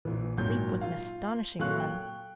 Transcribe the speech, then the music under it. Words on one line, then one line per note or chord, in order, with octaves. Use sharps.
The leap was an astonishing one.
A#1 E3
G#1 A#2 F#3 G6
F4 F5
A#2 F#3 A4 F5 C#6 F#6
G5